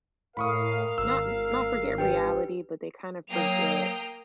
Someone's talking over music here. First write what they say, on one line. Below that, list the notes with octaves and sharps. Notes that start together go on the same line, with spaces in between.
not not forget reality, but they kinda forget,
A2 A#4 F5 B5 C#6 D#6
G#1 E6
D4 G4 B4 G5
F#3 A#3 G5 D#6 C7 F7